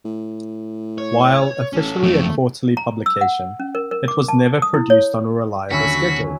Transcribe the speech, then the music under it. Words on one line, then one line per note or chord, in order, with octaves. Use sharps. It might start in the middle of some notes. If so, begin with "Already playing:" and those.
While officially a quarterly publication, it was never produced on a reliable schedule.
A2
C#5
A1 C#4 A4
F#1 F2 A3
A#5
E6
F#5
C#4
A#4
A#4
D6
A5
D#6
E4
C#5
D#2 D3 F#3 C#4 E4 F#4 B6